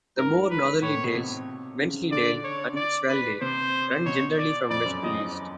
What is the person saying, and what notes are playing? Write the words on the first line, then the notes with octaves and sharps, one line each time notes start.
The more northerly dales, Wensleydale and Swaledale run generally from west to east.
G#2 A#4
B4
A2 C#5
A#2
B2
C3
C#3
D3 D5
C#5
D5
B4
C3 C5
B2 C#5
D5
F2 D5
F#2
E2 D#5
F2